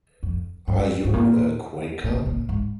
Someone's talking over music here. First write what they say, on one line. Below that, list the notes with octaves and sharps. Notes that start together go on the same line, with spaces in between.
Are you a Quaker?
F2
G2
G#2
A#2
A#2
A#2
G#2